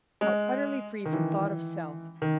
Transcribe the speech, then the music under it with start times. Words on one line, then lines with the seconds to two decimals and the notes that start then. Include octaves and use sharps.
How utterly free from thought of self!
0.21 G#3
1.05 D#3
1.13 E3
2.22 D#3